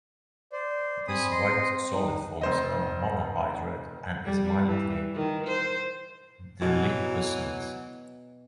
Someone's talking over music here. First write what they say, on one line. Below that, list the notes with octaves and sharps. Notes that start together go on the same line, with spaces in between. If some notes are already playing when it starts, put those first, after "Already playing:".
This white solid forms a monohydrate and is mildly deliquescent.
C5 D5
C4 G#5 B5 D#6
D#5 C6
D#4
F1 C5 D#5
G3
E3
D#3
C5
B2 E3 F#3